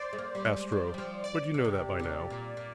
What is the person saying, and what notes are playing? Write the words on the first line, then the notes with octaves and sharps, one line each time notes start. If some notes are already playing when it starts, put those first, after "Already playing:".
"Astro, but you know that by now."
Already playing: C5 D5
G#3
A#3
G3
G#3
F3
G3
F3
D5
D3
C3
D3
C3
A#2
A#2